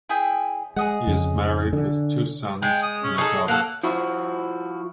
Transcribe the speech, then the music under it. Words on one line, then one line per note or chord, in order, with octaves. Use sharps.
He is married with two sons and a daughter.
E4 G#4 G5
G#3 G#4 D#5 F#5
F2 C#3
D3
G#3 G5
D#6
C#4
D#4 G#4 A4
A#3 A4 F#5
F3 E4 F#4